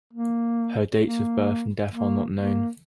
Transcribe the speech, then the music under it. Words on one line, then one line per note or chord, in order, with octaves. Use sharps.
Her dates of birth and death are not known.
A#3
A#3
A#3
A#3